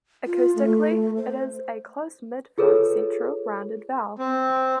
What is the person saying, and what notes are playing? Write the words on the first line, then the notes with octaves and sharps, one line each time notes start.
Acoustically, it is a close-mid front-central rounded vowel.
F4
A3
C5
F4 G#4 A4 B4 C#5
C4